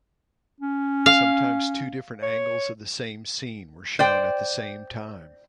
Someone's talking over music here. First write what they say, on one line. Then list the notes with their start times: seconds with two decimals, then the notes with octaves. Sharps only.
Sometimes two different angles of the same scene where shown at the same time.
0.61 C#4
1.06 F5
2.22 C#5
3.99 C5 D5 G5